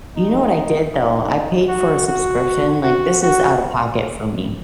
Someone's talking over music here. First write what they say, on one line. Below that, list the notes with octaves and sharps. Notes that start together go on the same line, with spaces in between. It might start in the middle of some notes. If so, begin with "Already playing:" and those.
You know what I did though, I paid for a subscription, like this is out of pocket for me.
D#4
D#4
F#4
F#4
F#4
F#4